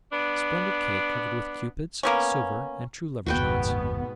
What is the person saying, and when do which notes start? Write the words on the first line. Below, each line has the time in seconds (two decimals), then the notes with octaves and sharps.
Splendid cake, covered with Cupids, silver, and true-lovers' knots.
0.12 B3 D4
2.03 A#3 B3 C#4
3.26 F#1 D#2 G#2 B2 B3 F#4 B4 G5